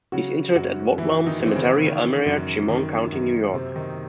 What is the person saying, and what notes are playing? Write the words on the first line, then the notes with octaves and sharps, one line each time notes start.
He is interred at Woodlawn Cemetery, Elmira, Chemung County, New York.
C#3 F#3 F#4
F#2 F#3 F#4
E3 E4
D#3 D#4
E3
C4
C#3 C#4
D#3
F#2
D#3
F#2
C3 C4
D#3 D#4